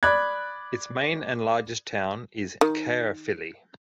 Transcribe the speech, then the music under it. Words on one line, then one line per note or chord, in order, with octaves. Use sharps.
Its main and largest town is Caerphilly.
D5 B5 F#6 G#6
D#3